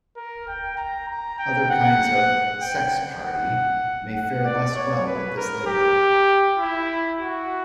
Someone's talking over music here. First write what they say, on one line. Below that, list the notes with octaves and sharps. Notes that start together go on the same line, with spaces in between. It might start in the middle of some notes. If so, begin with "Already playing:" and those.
Other kinds of "sex party" may fare less well with this labeling.
A#4
G5
A#5
A#5
G5
F#5
G5
F#5
F#5
D5
C#5
B4
A#4
G4
E4
F#4